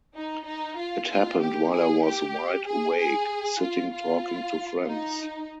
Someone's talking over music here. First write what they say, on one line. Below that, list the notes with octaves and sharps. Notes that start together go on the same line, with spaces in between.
It happened while I was wide awake, sitting talking to friends.
D#4
D#4
F4
F4
G4
G#4
G4
G#4
G#4
F4
F4
D#4